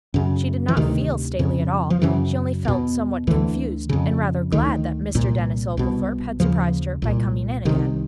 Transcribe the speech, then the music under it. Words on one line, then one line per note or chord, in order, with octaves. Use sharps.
She did not feel stately at all; she only felt somewhat confused, and rather glad that Mr. Denis Oglethorpe had surprised her by coming again.
F#2 C#3
E3
D2 C3 D#3
F2 C#3
F3
F#2 C#3 E3
E2 B2
D2 D3 E3
F2 C#3
D2 D3 D#3
C2 A#2
C2 B2
D#2 C#3 F3
C2 A#2
C2 C3 D#3